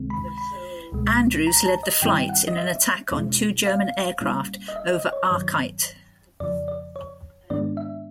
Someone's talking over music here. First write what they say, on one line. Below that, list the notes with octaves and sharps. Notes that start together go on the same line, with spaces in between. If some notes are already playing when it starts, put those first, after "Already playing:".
Andrews led the flight in an attack on two German aircraft over Achiet.
Already playing: C#2 C3 D#3 G#3 C4
B5
B5
C#2 B2 G#3
A#5
A#5
A5
D#5
G2 D#3 G3 C4 E4 G5
F#5
D#5
E5
E2 B2 G#3 C#4 E4
F5
A#2 G3 A#3 C#4 E4
D#5
E5
D#5
C#5
G2 D#3 F#3 C#5
F2 C#3 F3 D5
D5
C#5
G#2 D#3 G#3 B3 D4 D5
E5